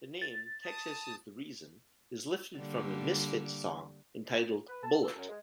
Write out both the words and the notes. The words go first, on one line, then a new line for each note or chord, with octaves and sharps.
The name "Texas Is the Reason" is lifted from a Misfits song, entitled "Bullet".
A6
A5 D#6
D3 G3 A#3
B4
A5
A4
F#2
G#3